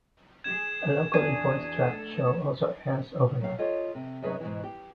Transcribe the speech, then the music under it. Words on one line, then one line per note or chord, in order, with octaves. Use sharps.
A locally voicetracked show also airs overnight.
G#4 G#6 E7
E2 D4 F#4 G#4 D5 G#5
A3 A4
F#3 F5
F4 G4 A4 C#5 D#5
C3
F#2 C3 D#4 G#4 B4 C#5
G#2 B2 E3
G4